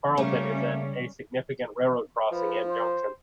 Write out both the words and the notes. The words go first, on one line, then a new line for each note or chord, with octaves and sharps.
Carleton is at a significant railroad crossing and junction.
C#3 G3 A3 A#3 C#4
F3 B4
C5